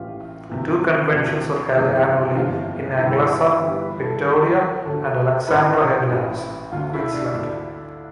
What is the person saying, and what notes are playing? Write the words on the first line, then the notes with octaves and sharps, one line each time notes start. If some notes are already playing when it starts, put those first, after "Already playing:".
Two conventions are held annually in Anglesea, Victoria and Alexandra Headlands, Queensland.
Already playing: A1 A2 E3 F4 G4
D2 C3 E3
D2 C3 E3
G1 F2 E3
G1 F2 E3 F4
G1 G2 E3 E4
D4
E4
F4
G1 G2 E3 G4
B4
A4
D2 D3 G4
D2 D3 A4
A1 A2 E3 B4
A1 A2 E3
D2 D3 F4
E4
D4
D2 D3 D4